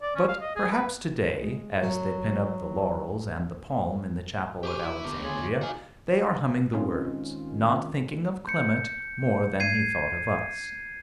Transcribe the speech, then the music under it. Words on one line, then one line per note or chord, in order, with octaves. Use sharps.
But perhaps to-day, as they pin up the laurels and the palm in the chapel at Alexandria, they are humming the words, not thinking of Clement more than he thought of us.
D5
C#4
F5
D#5
G#4
B4
G#3
F#3
B2 G4 G#4 C5 C#6 D6 D#7
E4
D3 B3 G4 A#4 D6
F4 G#4 C#5 F#7
C#3 D#4 F#4 F5 G#5
D#3 G#3 C4 C#4 F4
G6 C#7
G#6 C7 D#7